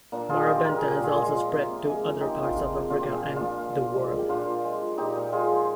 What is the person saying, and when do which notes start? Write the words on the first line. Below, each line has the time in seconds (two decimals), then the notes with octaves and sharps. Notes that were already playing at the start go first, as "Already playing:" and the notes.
Marrabenta has also spread to other parts of Africa and the world.
0.12 A#2 A#3 D4
0.29 A#2 F4 G#4
0.47 G#3 G4 A#4
0.64 F3 A#4
0.78 A#2 G#4
0.91 G4
1.00 A#2 F4 G#4
1.16 G#3
1.34 F3
1.51 C3
1.69 C3
1.86 G#3
2.04 F3
2.20 C3 D#4 G4
2.38 C3
2.44 D4 F4
2.56 G#3
2.73 F3
2.90 A#2 D4 F4
3.02 A#2 G4
3.13 F4 G#4
3.25 G#3
3.36 D4 F4
3.42 F3
3.60 A#2
3.76 A#2
3.94 G#3
4.12 F3
4.19 G4
4.29 A#2 D4 F4
4.46 A#2
4.64 G#3
4.81 F3
4.98 A#2 D#4 G4
5.16 A#2
5.32 G#3 F4 G#4
5.51 F3